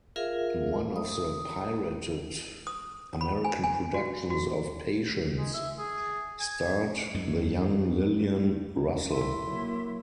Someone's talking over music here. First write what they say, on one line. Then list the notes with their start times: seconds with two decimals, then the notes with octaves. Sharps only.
One of the "pirated" American productions of "Patience" starred the young Lillian Russell.
0.16 F4 G#4 A#4 E5 F5
0.96 D#6
2.67 D#6
3.21 B5
3.44 G#5
3.64 G#5
3.94 F#4
4.30 F#4
5.38 G#3
5.54 E5
5.78 G#4
6.40 G#5
7.14 F#2 G#3
9.10 C2 E4 C6
9.43 F#3 A#3